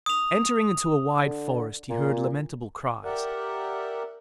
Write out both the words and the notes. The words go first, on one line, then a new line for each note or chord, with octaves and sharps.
Entering into a wide forest, he heard lamentable cries.
D#6 F7
D3
A#2
G4 A#4 D5 E5 F#5